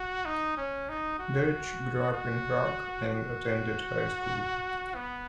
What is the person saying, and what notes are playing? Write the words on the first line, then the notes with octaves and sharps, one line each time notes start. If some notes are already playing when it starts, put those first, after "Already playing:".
Deutsch grew up in Prague, and attended high school.
Already playing: F#4
D#4
C#4
D#4
F#4
F#4
F#4
B3